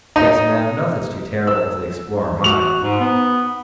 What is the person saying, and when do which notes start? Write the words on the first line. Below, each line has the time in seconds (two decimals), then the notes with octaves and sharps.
'Guess, ma'am, nothin's too terrible to the explorin' mind.
0.16 D#4
1.47 E6
2.44 F#4 F7
2.83 G#2
3.00 B3